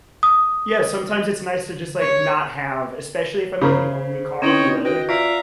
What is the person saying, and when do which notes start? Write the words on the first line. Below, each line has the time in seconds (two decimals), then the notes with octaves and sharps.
Yeah, sometimes it's nice to just, like, not have especially if I'm, like, the only car on the road.
0.23 D#6
2.00 C#5
3.62 C#3 G#4 A#4 C5 A#5 B5
4.42 C4 C#4 D#4 E4 B4 C#5 D#5 G5
4.85 F#4 B4 D#5 G5
5.09 F4 D5 E5 F5 A#5